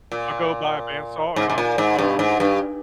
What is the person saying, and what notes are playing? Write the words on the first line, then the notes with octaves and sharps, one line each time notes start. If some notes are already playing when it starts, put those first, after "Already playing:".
I'll go buy a band saw and I w um
A#2
G#2
G#2
A#2
G#2
G2
G#2
G2